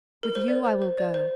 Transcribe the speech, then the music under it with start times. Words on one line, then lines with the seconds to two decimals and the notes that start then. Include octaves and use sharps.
With you I will go.
0.23 A#4
0.35 C5
0.48 D5
0.65 C5
0.82 C5
0.98 D5
1.14 C5